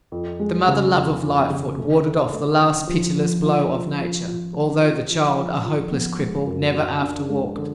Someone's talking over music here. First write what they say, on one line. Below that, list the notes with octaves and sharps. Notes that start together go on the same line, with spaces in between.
The mother love of Lightfoot warded off the last pitiless blow of nature, although the child, a hopeless cripple, never after walked.
F2
G#3
C#3
F2
F2
C#3
A3
D3
A3
D3
F3
F3
F4
F3
F4
F4
A3
F4
F3
F3
F3
B3
G#3
F#2
F#4
D4
G#3
D3